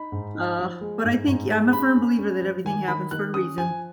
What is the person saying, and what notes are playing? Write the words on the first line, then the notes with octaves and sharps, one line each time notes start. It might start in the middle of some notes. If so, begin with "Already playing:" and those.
Aw, but I think y I'm a firm believer that everything happens for a reason.
Already playing: D#4 B5
G#2
D#4
F3
G#3
G#2
G#2
G#3
C#4 B5
C#4
C#4
F3
D#3 G#5
D#3 B5
D#3 F#6
C#4 D#6
F3 G#5